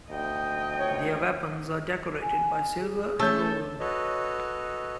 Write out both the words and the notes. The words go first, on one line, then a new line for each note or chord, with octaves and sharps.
Their weapons are decorated by silver and gold.
D2 D#5 G5
C#2 C#5
G#5
G#4
A3 C#4 A4 G6
F#4 A4 B4 C#5 D#5